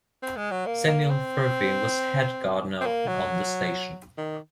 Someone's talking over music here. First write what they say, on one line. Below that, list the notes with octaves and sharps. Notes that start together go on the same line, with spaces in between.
Samuel Furphy was head gardener on the station.
C4
G#3
F#3
A#3
A#3
C4
C4
A#3
F#3
D#3